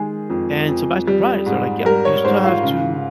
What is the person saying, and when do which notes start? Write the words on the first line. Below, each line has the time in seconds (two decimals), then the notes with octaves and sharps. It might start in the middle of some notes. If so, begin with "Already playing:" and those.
And so by surprise, they're like, yep you still have to
Already playing: D#3 G#3 G#4
0.30 F2
0.68 F2
1.07 G3
1.46 G#2
1.85 G3 A#4
2.05 C#5
2.25 G#2 C5
2.44 F4
2.63 C#3